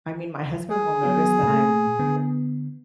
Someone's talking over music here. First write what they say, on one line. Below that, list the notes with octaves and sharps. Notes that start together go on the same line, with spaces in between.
I mean, my husband will notice that I'm
G#4
F#3 B3 F#4
A#2 A3
D3 B3